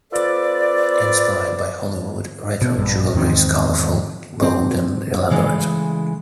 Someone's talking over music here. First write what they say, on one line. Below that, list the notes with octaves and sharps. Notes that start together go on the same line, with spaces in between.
Inspired by Hollywood, Retro jewelry is colorful, bold and elaborate.
C4 F4 A4 B4 D5
B2 B3
A#1 G2
E2 G#2 D#3 C4
C4
C#3 E3 G#3 A3